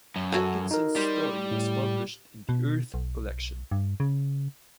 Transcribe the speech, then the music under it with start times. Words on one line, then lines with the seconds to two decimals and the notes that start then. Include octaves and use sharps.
Atkinson's story was published in the "Earth" collection.
0.16 F#2
0.32 F#4 A4 C#5
0.71 D#4 A#4
0.96 G3 G4 C5
1.51 A2
2.49 B2
2.94 B1
3.71 G2
4.00 C#3